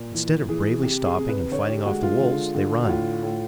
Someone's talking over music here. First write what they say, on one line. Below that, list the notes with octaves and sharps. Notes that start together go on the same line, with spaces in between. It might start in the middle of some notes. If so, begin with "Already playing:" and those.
Instead of bravely stopping and fighting off the wolves, they run.
Already playing: A#2
E3
E3 G#4
C3 G4
G#4
C3
B4
D3 C#5
G4
G#3 F#4
F4
D3
D3
F#4
A2 F4
A2